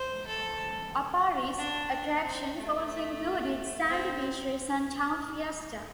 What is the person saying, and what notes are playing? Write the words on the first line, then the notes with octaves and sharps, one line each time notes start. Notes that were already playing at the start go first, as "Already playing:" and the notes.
Aparri's attractions also include its sandy beaches and town fiesta.
Already playing: C5
A4
D4
D4
C4
A3
C4